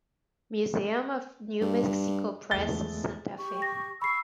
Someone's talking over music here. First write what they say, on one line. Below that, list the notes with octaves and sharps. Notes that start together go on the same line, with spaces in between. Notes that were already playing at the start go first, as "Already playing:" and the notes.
Museum of New Mexico Press, Santa Fe.
G2
E2 G#3 A3 A6 G7
G4 C#6
A#6
B5 C#6 E6 C7